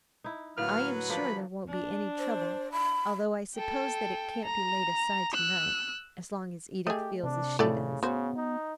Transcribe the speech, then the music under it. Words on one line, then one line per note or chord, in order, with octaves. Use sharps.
"I am sure there won't be any trouble, although I suppose that it can't be laid aside to-night, as long as Edith feels as she does."
D#4 E4
A2 D3 F#3 A#3 B4 F6
F3 D4 A#4 B5
D4
C5
B5
A4 G5
A#5
E6 F#6
A3 G4 G#4 D#5
C3 D4
A2 C#3 A3 C4 A4 D5
C#3 B3 F#4 C5
D#4